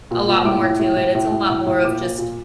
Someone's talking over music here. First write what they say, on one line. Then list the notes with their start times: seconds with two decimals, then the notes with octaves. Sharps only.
a lot more to it. It's a lot more of just"
0.11 A#2
0.28 A#2
0.45 A2 D6
0.62 A2
0.79 A2
0.96 A2
1.15 A2
1.32 A2
1.49 A2
1.66 A2
1.84 A#2 D6
2.01 A#2
2.18 A#2